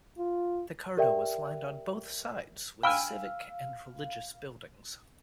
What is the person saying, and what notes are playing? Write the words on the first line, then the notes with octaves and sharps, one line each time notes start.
The cardo was lined on both sides with civic and religious buildings.
F4
G4 A#4 D5 E5 G5
F5 G5 G#5 B5 E6 F6